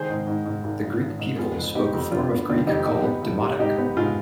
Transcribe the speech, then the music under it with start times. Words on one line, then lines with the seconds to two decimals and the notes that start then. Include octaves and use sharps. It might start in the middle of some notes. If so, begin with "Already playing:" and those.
The Greek people spoke a form of Greek called Demotic.
Already playing: D#3 G#4 C5
0.10 G#2
0.27 G#2
0.45 G#2
0.64 G#1
0.84 G#1
1.02 G#1
1.19 G#2
1.38 B3 F4 G#4
1.56 F2
1.75 B3 D#4 G4
1.93 F2
2.11 F2 D4 F4
2.30 B3 D4 F4
2.50 D#3 D4 F4
2.67 F2 D#4 G4
2.85 G3 D#4 G4
3.04 B3
3.22 G#1
3.41 G3
3.59 G#2 D#4 G4
3.78 B3
3.97 G#2 F4 G#4